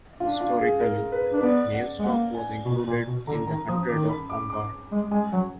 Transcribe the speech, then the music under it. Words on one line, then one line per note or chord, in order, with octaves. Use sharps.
Historically Navestock was included in the hundred of Ongar.
D4 F4
F4
G#4
A#4
B4
D4 B4
B3 D5
F#5
G#3
A#3 F#5
G#5
B2
A#2
B2
D3 A#5
D#3 A#5
F3 D#6
D#3 D6
B5
D6
D6
G#3
G#3 G#5
F#3 F#5